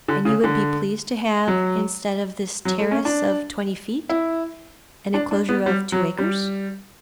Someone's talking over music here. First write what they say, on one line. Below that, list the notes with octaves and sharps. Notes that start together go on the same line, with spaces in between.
"And you would be pleased to have, instead of this terrace of twenty feet, an enclosure of two acres?"
D3
C#3
D3
F#3
F#3
A3
C#4
D4
E4
D4
D4
B3
G3
F#3
G3